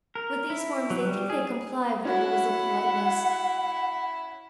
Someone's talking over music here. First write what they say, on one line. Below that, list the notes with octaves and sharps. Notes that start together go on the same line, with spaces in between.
With these forms, they think they comply with the rules of politeness.
A#4
E4
F#3
G3
G#4
C#4 E4 F#4 F#5